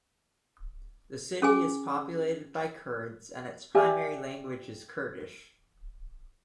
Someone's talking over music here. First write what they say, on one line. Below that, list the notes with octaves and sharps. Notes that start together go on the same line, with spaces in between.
The city is populated by Kurds and its primary language is Kurdish.
C#4 G#4 G#5
G4 D5 E5 G#5